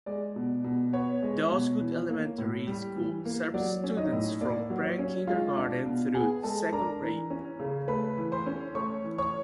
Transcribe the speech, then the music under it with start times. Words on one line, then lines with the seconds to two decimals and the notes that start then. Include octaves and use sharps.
The Osgood Elementary School serves students from pre-kindergarten through second grade.
0.06 G#3 D5
0.36 B2
0.64 B2
0.93 B3 C#5
1.23 G#3
1.51 B2
1.80 E3
2.09 A#3
2.38 A2
2.67 G3
2.96 E3
3.25 A#3
3.54 F#3 D5
3.84 C#4
3.97 D#4 D#5
4.12 A2
4.41 A#3 D5
4.70 F#3
4.84 C#5
4.99 C#4
5.27 G#3 F4 F5
5.57 D4
5.86 B2
6.14 B3 G#4 G#5
6.43 G#3 A4 A5
6.73 D4 A#4 A#5
7.02 E3
7.30 C#4
7.60 C#3
7.88 A3 B4 B5
8.18 E3
8.32 C5 C6
8.46 C#4
8.75 A3 C#5 C#6
9.04 E3
9.18 C#5 C#6